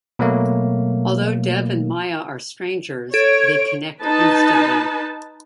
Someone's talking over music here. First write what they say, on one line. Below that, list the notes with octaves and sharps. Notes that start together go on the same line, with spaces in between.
Although Dev and Maya are strangers, they connect instantly.
B2 F#3 A3 A#3
A4 C#5 G#6 D7
D#4 B4 A5